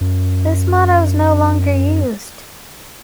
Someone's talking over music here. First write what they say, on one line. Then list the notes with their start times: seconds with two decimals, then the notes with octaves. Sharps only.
This motto is no longer used.
0.01 F#2